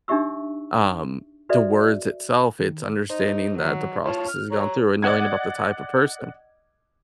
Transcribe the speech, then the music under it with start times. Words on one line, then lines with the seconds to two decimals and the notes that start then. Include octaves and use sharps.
um, the words itself, it's understanding that the process has gone through and knowing about the type of person.
0.08 D4 D#4 G4 E5 C#6 E6
1.49 F#4 A4 B4 D5 E5
2.59 D#3
3.10 D#4 C5
3.58 D#3 F#3
4.05 F4 C#5 A5
4.28 F6
4.51 C#5 A#5
5.02 D5 D#5 F#5 G#6